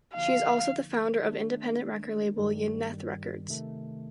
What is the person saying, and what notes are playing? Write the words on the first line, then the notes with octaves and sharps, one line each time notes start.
She is also the founder of the independent record label Yidneth Records.
D3 F3 A#3 D#4 F5
D#3 A3 D4
G2 D#3 G3
C3 D#3 A3